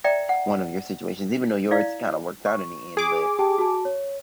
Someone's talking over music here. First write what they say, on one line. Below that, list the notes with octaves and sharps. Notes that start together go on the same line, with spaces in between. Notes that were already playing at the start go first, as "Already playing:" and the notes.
one of your situations, even though yours kinda worked out in the end, but,
D5 E5 G5 A#5
F#5
E4 D5 F5
C#6
G#4 D6
G4 G5 A5
F#4 A5
C#5